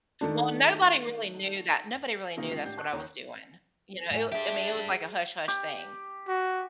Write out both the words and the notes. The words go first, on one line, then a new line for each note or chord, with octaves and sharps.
Well, nobody really knew that. Nobody really knew that's what I was doing. You know, it w I mean, it was like a hush-hush thing.
D#3 A3 D4
C3 D#3 A#3 D#4 F4
C#2 C7
A2 D4 G4 G6
A5 C#6 F#6
D#2 D#3 D#4 C#5 A#5
A2 F#5 G#5
D4 G4 G#4 E5
G4
F#4